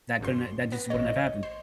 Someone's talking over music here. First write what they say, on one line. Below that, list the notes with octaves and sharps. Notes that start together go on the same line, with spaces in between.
that couldn't, uh that just wouldn't have happened,
G#1 F#2 C6
B3 A#6
A1 C#5 D#5
C5